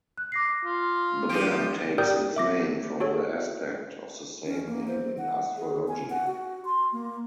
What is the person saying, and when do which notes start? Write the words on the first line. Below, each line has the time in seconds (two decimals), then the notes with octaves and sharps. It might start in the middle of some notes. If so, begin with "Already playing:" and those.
The band takes its name from the aspect of the same name in astrology.
0.18 F#6
0.32 D6 A#6 C7
0.65 F4
1.29 F3 G4 D7
1.98 G4 A#4 D5 G5 D#6 G6
2.36 E5 D6 A#6
3.00 F#4 G#4 A4 C#5
4.46 C#4
4.68 A#3
4.87 C5
5.18 F#5
5.57 G#4
5.88 G#5
6.10 F#5
6.27 F#4
6.65 C6
6.92 A#3